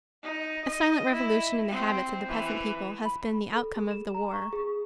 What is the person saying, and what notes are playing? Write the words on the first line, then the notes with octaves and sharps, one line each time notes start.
A silent revolution in the habits of the peasant people has been the outcome of the war.
D#4
D#5
E4
C4
E3
B5
A4
G#4
E7
A#5
C#6
G#4